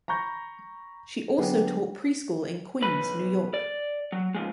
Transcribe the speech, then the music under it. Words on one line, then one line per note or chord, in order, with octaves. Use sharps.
She also taught preschool in Queens, New York.
A#5 B5 C#6 G6 A#6
D3 F#3 B3 G4 G#4
B1 B4 B5
D5
F#3
G#2 F3 G#3